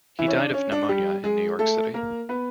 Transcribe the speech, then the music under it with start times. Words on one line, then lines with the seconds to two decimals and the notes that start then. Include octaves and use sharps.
He died of pneumonia in New York City.
0.19 E3 E4
0.28 C#4
0.37 D4
0.54 C#4
0.72 D4
0.89 G3 G4
1.24 G#3 G#4
1.59 A3 A4
1.94 A#3 A#4
2.29 B3 B4